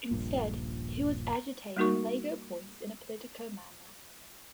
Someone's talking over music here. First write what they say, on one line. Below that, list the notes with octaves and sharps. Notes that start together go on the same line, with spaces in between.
Instead, he was agitating legal points in a political manner.
D#1 A#1 G2 A#2
G3 A#3 D#4 F#4 A#4 C#6